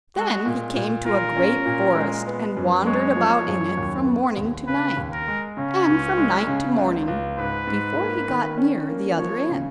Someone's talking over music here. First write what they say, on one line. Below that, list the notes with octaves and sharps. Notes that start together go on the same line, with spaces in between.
Then he came to a great forest and wandered about in it from morning to night and from night to morning before he got near the other end.
G#3 F#4
A#2
A#2
F4 A#4
C#4
A#2
G#3
B3
F#2
G#3 C#5
F3
F#2
D#2
B3
D#2
C#3 B4
D#2
A#4
G#3
C#3 C#4
C#2
G#3
C#3
C#2
C#2
G#2 B4
G#2
A#3
D#3
C#4
A#3
F3 C#5
C#3